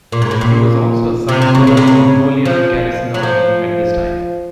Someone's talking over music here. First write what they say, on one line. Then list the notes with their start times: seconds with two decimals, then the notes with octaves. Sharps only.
He was also assigned to the Mongolia Garrison Army at this time.
0.12 A#2
0.22 G#2
0.31 A2
0.41 A#2
1.29 C3
1.42 C3
1.55 C#3
1.67 C#3
1.77 C3
1.87 C#3
2.46 F3
3.14 F#3
3.23 F3